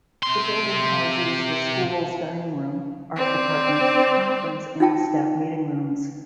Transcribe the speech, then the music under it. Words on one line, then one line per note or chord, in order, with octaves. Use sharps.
The building houses the School's Dining Room, Art Department, conference and staff meeting rooms.
C3 C6
C4 D5
D#4 F4 G5 A5